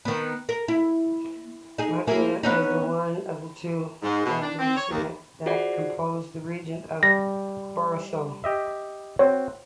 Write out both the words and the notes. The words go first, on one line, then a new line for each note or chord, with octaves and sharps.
Montalegre is one of the two municipalities that compose the region of Barroso.
D#3 B3
A#4
E4
D#4 G#4
A#3 E4 G#4
B3 C#4 D#4
G#2
B2
D4
C4
C#5
D#2
F4 F#4 G#4 C5 D5 F#5
G3 A#6
G4 D#5 E5
C4 F#4 C#5